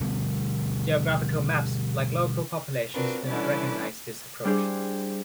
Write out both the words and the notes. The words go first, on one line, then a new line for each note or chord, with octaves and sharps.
Geographical maps, like local populations, do not recognize this approach.
B2 D3 G3 B3
C4 D4 F4 F#4 A#4 B4
D3 E3 G3 C#4 E4 D5
G3 D4 E4 G4 G#4 C5